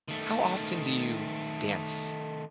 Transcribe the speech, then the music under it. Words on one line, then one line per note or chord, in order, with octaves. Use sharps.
How often do you dance
D#3 A3